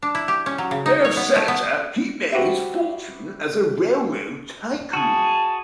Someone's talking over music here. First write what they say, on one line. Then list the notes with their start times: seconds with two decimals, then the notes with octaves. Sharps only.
Senator; he made his fortune as a railroad tycoon.
0.02 D4
0.15 E4
0.28 G4
0.46 C#4
0.58 F#3
0.71 C#3
0.86 D#4
1.05 C#5
1.17 B3
1.36 A3
1.48 B3
2.32 F#4 G4 B4 C5 E5
4.93 F#4 G#4 A5